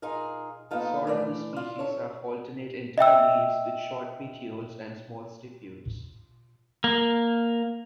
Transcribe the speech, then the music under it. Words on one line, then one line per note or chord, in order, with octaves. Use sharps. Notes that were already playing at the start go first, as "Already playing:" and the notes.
Sauropus species have alternate, entire leaves with short petioles and small stipules.
D#4 F4 G#4 A#4
A#3 B3 D#4 F4 A4
E3 A3 D5
F4
A4 C#5
D#5 E5 G5 E6
A#3